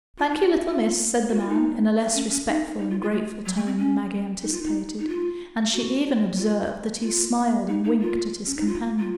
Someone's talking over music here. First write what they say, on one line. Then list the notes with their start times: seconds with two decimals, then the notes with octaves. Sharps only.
"Thank you, little miss," said the man, in a less respectful and grateful tone than Maggie anticipated, and she even observed that he smiled and winked at his companion.
0.18 F4
0.30 D#4
0.41 F#4
0.68 F4
1.30 F#4
1.40 F4
1.49 D#4
2.14 C#4
2.30 C#4
2.48 D#4
2.79 D#4
2.90 F4
3.01 F4
3.12 A3
3.45 F#3
3.56 A3
3.66 C4
3.78 C#4
4.43 D#4
4.52 F4
4.63 D#4
4.99 D#4
5.08 F4
5.74 F#4
6.38 F4
7.03 F4
7.68 D#4
7.84 D#4
8.01 F4
8.46 C#4
8.57 D#4
8.67 F4
8.99 F4